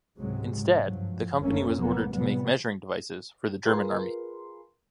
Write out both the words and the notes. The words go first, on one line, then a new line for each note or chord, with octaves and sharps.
Instead, the company was ordered to make measuring devices for the German Army.
C#2 G#2 C3 F#3 G#3
G2 F3 F#3
F#1 F#2 A3 A#3 C#4
F1 F#3 A#3 B3
A2 C3 F3 G3 B3
F4 G#4 A#4 B4 C6